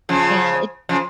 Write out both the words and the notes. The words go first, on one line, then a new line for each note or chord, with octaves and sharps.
And it
C#3 F3
C#3 F3